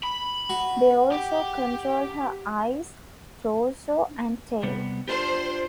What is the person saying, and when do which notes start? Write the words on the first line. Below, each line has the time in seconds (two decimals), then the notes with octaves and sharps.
They also control her eyes, torso, and tail.
0.04 B5
0.49 F#4
1.12 G4
4.63 C3 G3 B3
5.08 D4 F4 G4 C5